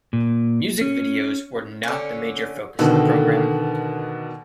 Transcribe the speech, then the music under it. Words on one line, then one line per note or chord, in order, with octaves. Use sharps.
Music videos were not the major focus of the program.
A#2
C#4
D3 C#4
B2 D3 D#3 A4